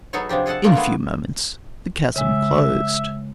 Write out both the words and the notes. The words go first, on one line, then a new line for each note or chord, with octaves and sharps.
In a few moments the chasm closed.
F#3 B3 D#4 G#4 A4 C#5
C3 F3 D4 G4
G#4 A4 D#5 F#5 A5
A3 A#3 D4 F4 G#4 A#4
A3 B3 G#4
C#3 G#3 E5